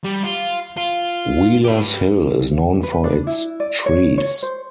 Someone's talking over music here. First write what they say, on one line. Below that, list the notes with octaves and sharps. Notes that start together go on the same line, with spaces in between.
Wheelers Hill is known for its trees.
G3
F4
F4
G4 B4
B4
D4
E4
D5
C#5
C#5
C5